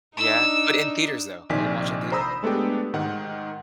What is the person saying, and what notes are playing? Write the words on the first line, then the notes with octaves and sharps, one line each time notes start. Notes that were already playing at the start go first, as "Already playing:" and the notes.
Yeah. But in theaters, though, are you gonna watch in theaters?
D4 D#4 E6
A#1 C3 D#3 D5 G#5 B6
C5 A#5 B5 D#6 E6
G#3 A3 B3 D4 G4
G#2 D#3 F#5